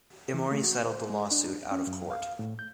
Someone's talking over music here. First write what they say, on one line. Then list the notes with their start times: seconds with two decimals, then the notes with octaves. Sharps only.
Emory settled the lawsuit out of court.
0.34 E3
0.52 A3
0.63 F#4
0.86 C5
1.10 G#3
1.31 D4
1.71 C#4
1.87 F#2
2.11 F5
2.39 A2
2.59 G6